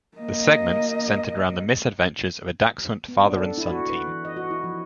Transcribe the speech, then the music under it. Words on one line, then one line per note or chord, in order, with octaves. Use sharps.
The segments centered around the misadventures of a dachshund father-and-son team.
A#3 D#5
B3
D4
A4
E4
F#4
B4
E3
D#5
F#4
E4
F3